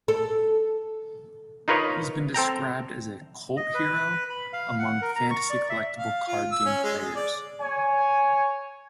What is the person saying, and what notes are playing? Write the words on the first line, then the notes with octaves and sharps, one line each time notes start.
He has been described as a "cult hero" among fantasy collectible card game players.
A4
D#4 F4 A#4 B4 C#5 D#5
C4 A4 G5 A#5
D#5
B4
B5
F5
F#5
A#4
A#5
C#6
D5
E5
F5
F4
E6
C#4
G#3
G#4
D5
C#5 G#5